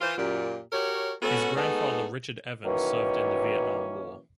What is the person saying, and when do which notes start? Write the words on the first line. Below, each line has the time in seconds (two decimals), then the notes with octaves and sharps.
His grandfather Richard Evans served in the Vietnam War.
0.01 E3 F4 C5
0.17 F#2 A#2 G4
0.72 F#4 G4 A#4 C#5
1.22 G#3 B3 C#4 F#4 A4
1.56 G#3 A3 B3 D#4 G#4 A4
2.65 B2 D#3 E3 F#3 A#3 C#4